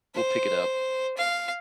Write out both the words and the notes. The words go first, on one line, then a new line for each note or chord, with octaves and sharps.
we'll pick it up,
C5
F5